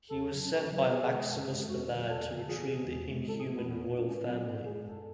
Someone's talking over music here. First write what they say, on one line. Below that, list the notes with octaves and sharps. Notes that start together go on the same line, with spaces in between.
He was sent by Maximus the Mad to retrieve the Inhuman Royal Family.
E2 A4
B2 F#3
B2 A4
F#3
B2 G#4
G#3
G#4
F#2 A4
D3 G#3
E2 F#4
D3 F#3
E2 A4
C#3 E3
E2 G#4
C#3 E3 G#3
E2
C#3 G#3
A2 A4
G#4
E3 G#3 A3
B3
E2 B3
B2 G#3
D4
A2 C#4
F#3 B3
G#2 B3
G#3 G#4
F#2 A4